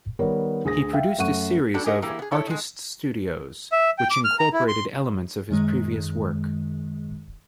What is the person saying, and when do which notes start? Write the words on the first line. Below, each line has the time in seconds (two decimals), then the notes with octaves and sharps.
He produced a series of "Artists Studios" which incorporated elements of his previous work.
0.19 D#3 G3 B3 A#4 C#5
0.65 D2 G#4 D#6 A#6
0.93 E5 F5 G5
1.18 F#2 A3 F#5 C#6 D#7
1.74 G3 A3 B3 D4 F#4 A4
1.86 G4 G#4 A#4 D#5 F#5
2.02 E3 A#3 E4 G4 G#4
2.19 B3 G#4
2.31 E4 A4 C#5
2.47 D#3 G#3
3.72 E5
3.98 G5
4.10 D6
4.25 F6
4.39 A#5
4.53 E4
4.68 C6
5.50 F#2 D#3 G#3